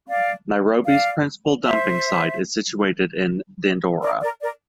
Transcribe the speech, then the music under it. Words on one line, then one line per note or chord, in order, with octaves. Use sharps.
Nairobi's principal dumping site is situated in Dandora.
D5 F5
D5 F5
C5 E5
A#4 D5
A#4 D5
A#4 D5